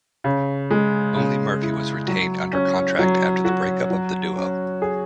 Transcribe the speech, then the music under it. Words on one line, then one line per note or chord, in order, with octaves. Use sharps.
Only Murphy was retained under contract after the breakup of the duo.
C#3
G#3
C#3
E4
F#3
C#4
F#3
F#4
F#3
C#4
G#4